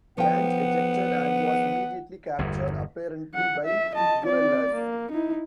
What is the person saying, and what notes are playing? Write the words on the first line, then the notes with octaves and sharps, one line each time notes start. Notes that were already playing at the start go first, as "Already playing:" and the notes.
Gant ejected and was immediately captured, apparently by guerrillas.
F3 B3 F#5 G5
G1 E2
F#5
E5
D#5 A5
C4 D5
A#3
D#4 E4